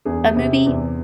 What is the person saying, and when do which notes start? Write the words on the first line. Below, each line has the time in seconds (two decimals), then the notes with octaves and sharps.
a movie?
0.05 E2 G#4
0.36 C3
0.66 E2